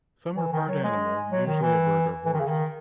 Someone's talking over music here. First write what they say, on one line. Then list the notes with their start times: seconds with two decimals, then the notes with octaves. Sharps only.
Some are part animal, usually a bird or horse.
0.37 E3
0.52 D#3
0.68 F#3
0.84 G#3
1.32 F#3
1.47 D#3
1.62 E3
2.26 E3
2.33 D#3
2.40 C#3
2.48 D#3